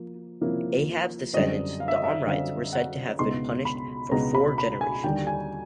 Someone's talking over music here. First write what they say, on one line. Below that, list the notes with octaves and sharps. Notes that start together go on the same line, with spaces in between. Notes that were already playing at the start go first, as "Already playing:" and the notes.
Ahab's descendants, the Omrides, were said to have been punished for four generations.
Already playing: F3 A#3
C3 F3 A#3 C#4 E4
F#2 D3 G3 C4 D#5
F5
E5
D#5
E5
F#2 D3 G3 C4 F5
F#5
C#2 B2 G#3 B3 D#4 C6
B5
C#2 B2 G#3 B3 D#4 A#5
B5
B5
G#5
D#2 D3 G3 G5
G#5